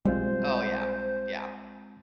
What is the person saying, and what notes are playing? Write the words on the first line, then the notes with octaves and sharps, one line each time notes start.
Oh, yeah. Yeah.
B1 G3 G#3 C4 F4 C5